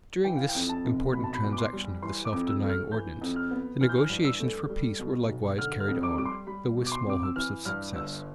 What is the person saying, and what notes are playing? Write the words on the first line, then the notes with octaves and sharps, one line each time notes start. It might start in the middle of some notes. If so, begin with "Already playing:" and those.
During this important transaction of the self-denying ordinance, the negotiations for peace were likewise carried on, though with small hopes of success.
E3 G5
F5
G5
F2
A5
F1
B2 B5
A5
B5
E2
D6
C6
G3
E3 C6
D6
F2
E6
A3
F6
E3 G6
F2
F6
B3
E3 F6
G6
F6
G2
E6
A3
G3
B2
B1
D3 F6
F6
F2
D6
G3 D6
C6
G3 B5
B2
D6
C6
C4 D6
E6
E3 F6
G2 F6
G1 E6